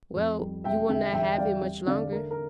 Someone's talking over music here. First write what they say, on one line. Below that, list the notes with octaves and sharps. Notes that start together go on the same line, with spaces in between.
"Well, you will not have it much longer."
F2
G3
E1 E5 G5
D3 E5 G5
E2 E5 G5
G5
G3 D5 F5
G3
D3 D5 F5
A3 A#4
A#4